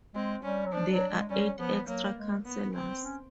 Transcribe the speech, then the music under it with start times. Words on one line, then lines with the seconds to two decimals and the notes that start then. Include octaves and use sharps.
There are eight extra councillors.
0.15 G#3 C4
0.43 G3 C#4
0.66 F#3
0.73 F3 D4
0.92 F#3
1.11 G#3
1.30 G3 C#4
1.59 F3 B3
1.88 F#3 A#3
2.16 G#3
2.46 B3
2.74 C4
3.03 C#4